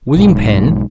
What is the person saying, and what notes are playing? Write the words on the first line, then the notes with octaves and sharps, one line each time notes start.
William Penn.
B1 G#2